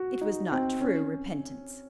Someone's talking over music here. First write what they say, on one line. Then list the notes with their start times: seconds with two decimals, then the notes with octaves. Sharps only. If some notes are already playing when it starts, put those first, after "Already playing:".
It was not true repentance.
Already playing: F#4
0.21 D#4
0.52 C4
0.81 C#4